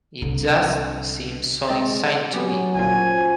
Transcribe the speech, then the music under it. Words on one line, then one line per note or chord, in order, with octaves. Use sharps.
It just seems so insane to me.
C2 D3
G#3 C4 D#5 A6
F#3 B3 C#4 G4
G1 A#2 F3 C#4 F#4 G#5